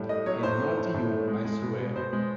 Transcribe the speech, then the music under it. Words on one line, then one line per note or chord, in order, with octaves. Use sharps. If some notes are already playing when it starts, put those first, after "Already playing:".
And not you, I swear!
Already playing: A2 G3
A3 D#5
F#3 C#5
A2 C5
A3
A2
A2
A3
G#3
G#3
B2
B2
B2 C5
G#3